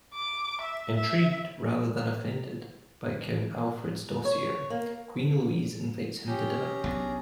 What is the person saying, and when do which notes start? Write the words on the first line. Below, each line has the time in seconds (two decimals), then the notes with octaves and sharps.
Intrigued rather than offended by Count Alfred's dossier, Queen Louise invites him to dinner.
0.14 D6
0.61 E5
0.95 E5
4.25 C#5
4.70 A#3
6.27 C#4 G4 G#4 G5 A#5
6.84 B1 C3 D4